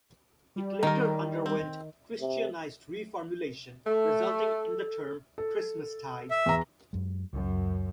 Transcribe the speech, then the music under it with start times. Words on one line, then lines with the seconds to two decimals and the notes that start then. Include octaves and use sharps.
It later underwent Christianised reformulation resulting in the term Christmastide.
0.56 G3
0.83 D#3 D#4 A#4
1.46 C4
2.20 C3
3.86 A3 A4
5.38 A4
6.31 E5
6.46 E2 A#5
6.93 F#2 G#3
7.33 C#2 F#2